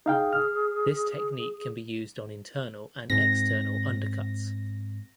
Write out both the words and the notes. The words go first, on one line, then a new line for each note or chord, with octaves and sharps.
This technique can be used on internal and external undercuts.
D#4 G#4 F5 G5
F6
G#2 C4 A#6